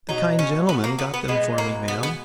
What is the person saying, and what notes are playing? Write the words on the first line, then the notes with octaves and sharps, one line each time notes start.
"The kind gentleman got them for me, ma'am."
B2 F#3 D#4
C#4
B3
A#3
B3
B3
B2 G#3 B3
A#3
B3
B3